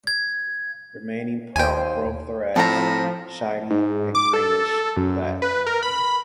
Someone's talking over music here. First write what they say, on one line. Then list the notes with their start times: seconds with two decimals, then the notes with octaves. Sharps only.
Remaining part of prothorax shiny and greenish black.
0.07 G#6
1.56 D#2 C5 G5 G#5
2.56 A2 F3 C4 A5 A#5
3.70 G#2
4.15 D6
4.33 A4
4.96 F#2
5.42 B4
5.66 A#4
5.83 B5